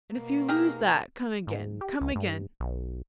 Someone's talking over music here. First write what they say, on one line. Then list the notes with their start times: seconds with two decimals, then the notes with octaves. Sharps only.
"And if you lose that, come again, come again."
0.14 B2 A#3
0.49 D#4 G4 G#4 A#4 F6
1.47 G#2
1.81 G4
2.01 C#2
2.16 G2
2.60 B1